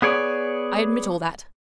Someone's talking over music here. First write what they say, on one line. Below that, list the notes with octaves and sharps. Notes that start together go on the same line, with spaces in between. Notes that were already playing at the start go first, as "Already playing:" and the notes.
I admit all that.
B3 G#4 C#5 D5